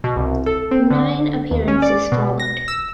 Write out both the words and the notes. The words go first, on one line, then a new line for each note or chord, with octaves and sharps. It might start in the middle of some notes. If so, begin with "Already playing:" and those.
Nine appearances followed.
B2
C2
A4
C4
D3
D#2
C#4
D5
B2
A#6
E6